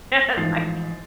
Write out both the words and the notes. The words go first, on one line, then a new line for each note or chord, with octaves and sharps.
It's like
A1 G#2 F3 A6 C7